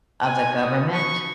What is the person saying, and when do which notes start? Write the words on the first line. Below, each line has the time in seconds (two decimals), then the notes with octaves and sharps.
of the government
0.25 B3 D#4 F#4 G#5
0.59 D#6
0.92 C#6